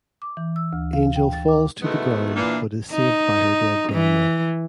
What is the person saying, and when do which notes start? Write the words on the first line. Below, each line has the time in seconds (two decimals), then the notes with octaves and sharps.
Angel falls to the ground but is saved by her dead grandma.
0.22 D6
0.37 E3
0.56 E6
0.73 D2
0.93 F5
1.16 G5
1.33 A6
1.48 D6
1.82 B2 D#3 E3 G#3 A3 B3
2.36 A#2 E3 D4
2.92 D#4
3.92 E3